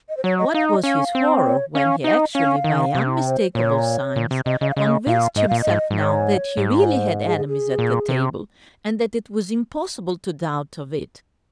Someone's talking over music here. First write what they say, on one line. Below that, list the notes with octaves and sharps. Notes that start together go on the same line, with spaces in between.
What was his horror when he actually, by unmistakable signs, convinced himself now that he really had enemies at the table, and that it was impossible to doubt of it.
D#5
C5
F#3 C#5
D#5
D#4 F5
D#5
C#4 F5
C4
C#5
C#4 F5
D#4 D#5
C#4 F5
D#3
C3
C5
A#2 C#5
A#2
C3
C3 D#5
C#3 D#5
F5
C#3 D#5
A#2 F5
G#2 D#5
A#2 F5
D#5
G#2
G#2
C#5
G#2
C#5
C5
G#4
G#4
G#4
A#2
C3